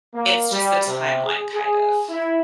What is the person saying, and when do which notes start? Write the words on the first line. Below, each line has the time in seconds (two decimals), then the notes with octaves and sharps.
it's just the timeline kind of.
0.14 A#3
0.50 G3
0.87 C3
1.25 G#4
1.53 G#4
2.09 E4